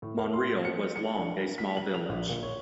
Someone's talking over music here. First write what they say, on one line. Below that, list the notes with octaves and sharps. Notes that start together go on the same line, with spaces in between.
Monreale was long a small village.
A2
A#4
C6
C#7
C#7
D4
B6
F#7
F7
A#1
A#2
C#5